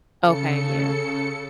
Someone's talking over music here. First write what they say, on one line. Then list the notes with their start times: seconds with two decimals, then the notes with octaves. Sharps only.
Okay. Yeah.
0.22 C#3 A4 C#7